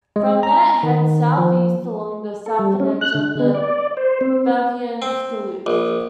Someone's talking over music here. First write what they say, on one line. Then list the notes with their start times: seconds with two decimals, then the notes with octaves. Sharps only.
From there it heads south-east along the southern edge of the Baviaanskloof.
0.16 G#3
0.43 A#5
0.83 D#3
1.38 F3
2.46 A4
2.59 G3
2.80 C#4
3.01 F#6
3.15 D3
3.39 B3
3.54 D5
3.97 C5
4.21 C4
5.02 C4
5.66 A#1